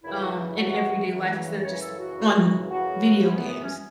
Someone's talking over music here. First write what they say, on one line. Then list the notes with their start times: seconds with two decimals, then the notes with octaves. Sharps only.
um, in everyday life instead of just on video games,
0.04 F#2 C#3 E3 E4
0.21 F#4
0.57 F#2 C#3 E3 F#4
1.10 F#2 C#3 E3
1.63 F#2 C#3 E3 C#5
1.81 A4
1.99 F#4
2.17 F#2 C#3 E3
2.70 F#2 C#3 E3 F#4
3.23 F#2 E3 E4
3.36 B3
3.49 B3
3.63 C#4